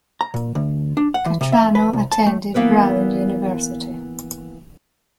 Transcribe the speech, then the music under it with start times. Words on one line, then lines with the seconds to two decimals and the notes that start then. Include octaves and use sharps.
Cattrano attended Brown University.
0.21 A#5
0.34 A#2
0.55 D2
0.97 D4
1.14 F#5
1.26 E3
1.41 C3
1.52 E5
1.75 B4
1.93 C2
2.12 A5
2.26 A3
2.54 E3 A#3 B3 A#4 B4